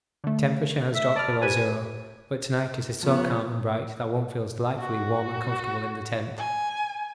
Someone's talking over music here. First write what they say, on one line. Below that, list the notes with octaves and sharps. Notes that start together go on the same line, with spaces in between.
The temperature has dropped below zero, but to-night it is so calm and bright that one feels delightfully warm and comfortable in the tent.
D3 A3
E5
D5 A5 B5 F6
G4 B4 C5 G#5
F3 B3 C#5
F#4
G#5